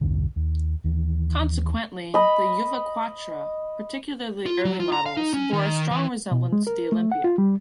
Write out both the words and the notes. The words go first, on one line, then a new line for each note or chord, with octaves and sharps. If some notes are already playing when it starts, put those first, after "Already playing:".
Consequently, the Juvaquatre, particularly early models, bore a strong resemblance to the Olympia.
B1 E2 G2 D3
D#2
D#2 E3
D#5 B5
F4
F#3
F4
A#5
F5
D#4
C#4
D#3
E3
B2
G#3
A#4
A3
F#5
F4
G3